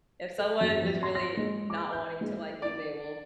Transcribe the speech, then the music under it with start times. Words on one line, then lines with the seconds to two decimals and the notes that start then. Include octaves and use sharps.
if someone is really not wanting to like you, they will
0.38 A4
0.61 F#2
0.82 F2
1.03 C6
1.15 A#6
1.37 G#3
1.70 D6
1.92 G6
2.21 G#3
2.62 D5